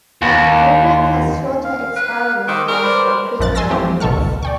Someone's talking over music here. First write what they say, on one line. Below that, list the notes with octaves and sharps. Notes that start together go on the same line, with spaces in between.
That program has shorter expiry times for prepaid minutes.
D#2
F5
B4
D#3 C5 D6 E6
G3 G#4 A#4 C#6
B4 C5 D5
A#1 F#2 F3 D#4 F#6 A6
G#5 C6 E6 A6 A#6
E3 F3 A3 C4 G4
A1 B2 A4 A5 C#6 F6
D2
D5 G5 C#6